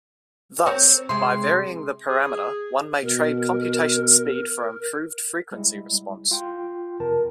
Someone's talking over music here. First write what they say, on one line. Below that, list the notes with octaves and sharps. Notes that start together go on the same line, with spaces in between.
Thus, by varying the parameter one may trade computation speed for improved frequency response.
C4 A#4 C#5
C3 G#3 C6
G#4
B2 A#4
G3 G#3 E4
F4 G5 C6
F2 C3 A#4 A5